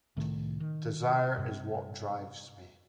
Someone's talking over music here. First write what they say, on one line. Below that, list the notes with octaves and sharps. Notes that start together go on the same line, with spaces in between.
Desire is what drives me.
C2 A2 D#3 A3
D#3
G2 C3